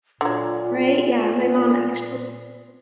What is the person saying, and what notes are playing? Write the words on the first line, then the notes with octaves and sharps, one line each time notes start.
Right? Yeah. My mom actual
A#2 D3 F#3 F4